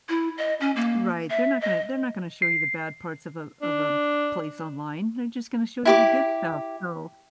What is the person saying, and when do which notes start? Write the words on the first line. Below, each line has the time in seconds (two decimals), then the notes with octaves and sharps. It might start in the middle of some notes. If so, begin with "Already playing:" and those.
Right, they're not gonna they're not gonna show you the bad parts of a of a p place online, they're just gonna show you the good stuff, so
0.09 E4
0.37 D#5
0.60 C#4
0.76 A#3
1.30 E5
1.61 D#5
2.42 C7
3.62 D4
5.85 E4 G4 D6